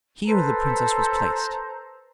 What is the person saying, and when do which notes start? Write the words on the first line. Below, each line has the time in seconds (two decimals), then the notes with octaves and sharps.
Here the princess was placed.
0.25 A4 B4 C5 A#5